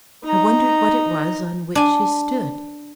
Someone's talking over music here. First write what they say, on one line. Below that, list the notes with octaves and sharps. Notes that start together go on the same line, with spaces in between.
I wondered what it was on which she stood.
D#4 A#5
D4 G#5